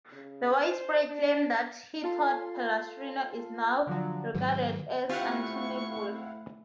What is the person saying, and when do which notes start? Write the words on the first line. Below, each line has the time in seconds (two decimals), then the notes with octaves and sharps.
The widespread claim that he taught Palestrina is now regarded as untenable.
0.13 C#3
0.57 C5
1.05 D4
2.04 F4 A4 C6
3.87 D3 F3 F#3
4.35 G#2 D#3 F#3
5.09 A3 C4 E4 F4 G4 F5 F#5 C#6